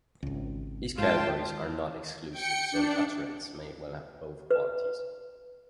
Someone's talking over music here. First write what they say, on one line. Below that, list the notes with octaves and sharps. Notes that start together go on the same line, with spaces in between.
These categories are not exclusive, so an utterance may well have both qualities.
G#1 C#2
G#2 F4 G5 A5
G5 C#7
D4
B4